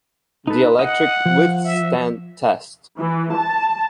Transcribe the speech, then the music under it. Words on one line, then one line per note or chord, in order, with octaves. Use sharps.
Dielectric Withstand Test.
D#4 A4 B4
D#5 F#5
F3
E5
E3
A5